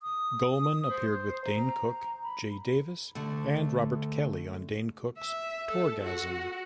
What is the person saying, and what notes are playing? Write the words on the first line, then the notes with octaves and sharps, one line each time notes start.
Gulman appeared with Dane Cook, Jay Davis, and Robert Kelly on Dane Cook's "Tourgasm".
D#6
C5
A#5
B5
D3 A3
E5
A4
F#4